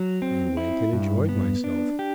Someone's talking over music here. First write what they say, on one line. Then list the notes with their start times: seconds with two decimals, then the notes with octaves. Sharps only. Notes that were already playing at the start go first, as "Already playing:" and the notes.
I went and enjoyed myself.
Already playing: F#3
0.22 C4
0.57 E4
0.93 G2
1.29 B3
1.64 D4
1.99 G4